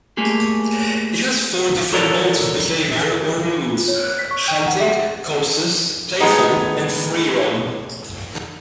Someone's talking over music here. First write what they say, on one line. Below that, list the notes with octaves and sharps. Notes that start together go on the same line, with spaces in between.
It has four different modes of behavior or moods: hunting, cautious, playful, and free-roam.
A3 A#3 G4 G#4
F#4 A4 A#4 C#5 D5
F4
C#5
F#6
B6
C#6
G5
F#5
E5
A2 G#3 B3 D#4